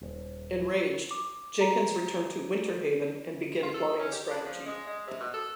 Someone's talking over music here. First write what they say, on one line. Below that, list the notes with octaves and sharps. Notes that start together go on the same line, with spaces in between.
Enraged, Jenkins returned to Winter Haven and began plotting a strategy.
D#1
D6
A#5
F4
A4
C#4
G4
D4
F3
G#3
G#3
C3
B2
A4